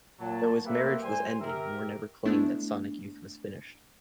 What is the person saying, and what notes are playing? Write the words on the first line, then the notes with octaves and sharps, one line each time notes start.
Though his marriage was ending Moore never claimed that Sonic Youth was finished.
A#2 F#3 A5
A3 A#3 G4 B4 C5 E5
A2 G3 C5 G#5
G4 A#4 E5
G#3 A3 B3 D4 E4